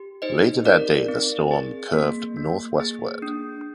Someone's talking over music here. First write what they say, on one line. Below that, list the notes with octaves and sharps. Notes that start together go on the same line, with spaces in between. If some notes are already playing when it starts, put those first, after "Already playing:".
Later that day, the storm curved northwestward.
Already playing: G4
D#4 C5 D#5
C4 A#4 D5
C4
G#4
A#3
A#3
G#4
D4